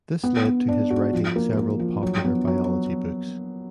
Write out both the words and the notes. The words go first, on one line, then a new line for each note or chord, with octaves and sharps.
This led to his writing several popular biology books.
B3
B3
D4
F#4
F3
A#3
A#3
F3
F#3
B3
F#3